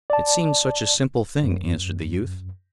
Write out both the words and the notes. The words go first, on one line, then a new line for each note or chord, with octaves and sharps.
"It seems such a simple thing," answered the youth.
D5 A5
F#2